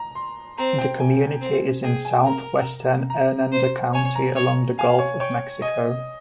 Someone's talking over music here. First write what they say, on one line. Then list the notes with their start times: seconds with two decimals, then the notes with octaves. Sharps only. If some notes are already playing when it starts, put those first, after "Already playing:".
The community is in southwestern Hernando County, along the Gulf of Mexico.
Already playing: A#5
0.15 C6
0.58 C4 A#5
0.78 G5
1.00 G#5
1.41 C4
1.84 G#4 G5
2.05 G#5
2.26 A#4 A#5
3.10 A#5
3.52 C5
3.94 C#5 G#5
4.15 A#5
4.36 C#5
4.78 F5 G#5
4.99 C#5
5.20 C#5 G5
5.62 D#5 G#5